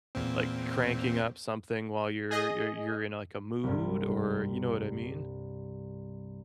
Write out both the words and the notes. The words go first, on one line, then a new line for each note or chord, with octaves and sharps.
like, cranking up something while you're you're you're in, like, a mood, or you know what I mean?
E2 A#2 C4
G#4 D#5
C2 G2